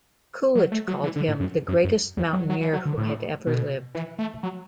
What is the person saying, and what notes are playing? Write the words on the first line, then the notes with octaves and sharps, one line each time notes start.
Coolidge called him "the greatest mountaineer who had ever lived".
F#3
A3
F#3
E3
D3
A2
F#2
F#2
F#2
E2
F#3
F#3
E3
F#3
D3
A2
B2
E3
A3
F#3